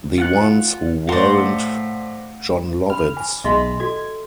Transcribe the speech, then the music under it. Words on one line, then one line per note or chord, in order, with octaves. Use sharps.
The ones who weren't Jon Lovitz.
F4 F#5 F#6
A2 C5 D5 F5 F#5 A#5
B5 F6
G#5
B1 G#3 D#5 E5 C6 B6
F#4 A4 G#6